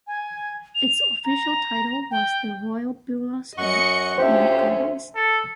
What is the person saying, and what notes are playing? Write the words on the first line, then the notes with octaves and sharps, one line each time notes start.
Its official title was The Royal Beulah Spa and Gardens.
G#5
F7
A#5
G5
F#2 D#5 F#5 C#6 C#7
D2 F3 C#4 G4 C5 E5
A4